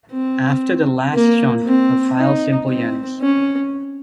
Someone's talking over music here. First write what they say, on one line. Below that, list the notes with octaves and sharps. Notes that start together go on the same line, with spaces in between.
After the last chunk the file simply ends.
C4
A#3
C4
D#4
C4
C#4